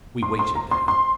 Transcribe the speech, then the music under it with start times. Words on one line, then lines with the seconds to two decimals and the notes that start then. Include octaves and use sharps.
We waited there.
0.23 C6
0.39 C6
0.55 A#5
0.71 C6
0.88 C6